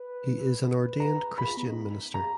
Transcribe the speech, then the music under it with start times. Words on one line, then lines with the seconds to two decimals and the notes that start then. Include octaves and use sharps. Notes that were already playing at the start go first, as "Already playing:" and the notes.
He is an ordained Christian minister.
Already playing: B4
0.63 B4
1.00 A#5
1.38 A#4 B5
1.48 F4
1.57 B3
1.67 D#4
2.14 A#5